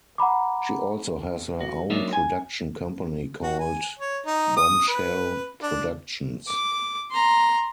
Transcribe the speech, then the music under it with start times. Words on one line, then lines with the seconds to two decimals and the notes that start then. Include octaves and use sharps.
She also has her own production company called "Bombchelle Productions".
0.18 F#5 A#5 B5 D6
1.61 F#4
1.90 F#3 A#3 D4 D#4 C#5 E5
2.13 G#5
3.43 F#4
3.60 G#5
3.99 C#5
4.26 D#4
4.57 D#6
4.88 B4
5.62 D4
6.48 D6
7.11 A#5 C6